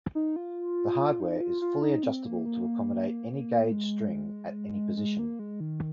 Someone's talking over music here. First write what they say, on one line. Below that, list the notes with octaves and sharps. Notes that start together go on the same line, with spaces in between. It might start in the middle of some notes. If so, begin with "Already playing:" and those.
The hardware is fully adjustable to accommodate any gauge string at any position.
D#4
F4
D#4
F4
F4
D#4
C4
A#3
A#3
G#3
G#3
A#3
G#3
D#3